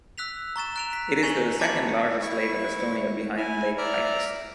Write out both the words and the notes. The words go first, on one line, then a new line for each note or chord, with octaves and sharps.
It is the second largest lake of Estonia behind Lake Peipus.
E6 F#6 B6 F7
A#5 C#6 A6 E7
F#6 D7 F7
B6
G#5 C#6 F7 F#7
A5 B5 D6 A6 C#7 F#7
E4 C#6
E4 G#5
D5 E5 A#5 F6